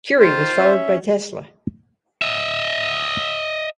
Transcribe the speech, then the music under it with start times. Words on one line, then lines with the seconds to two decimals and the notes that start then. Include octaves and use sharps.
Curie was followed by Tesla.
0.20 D#3 F4 C5
0.57 C#4 E5
2.22 D#5 E5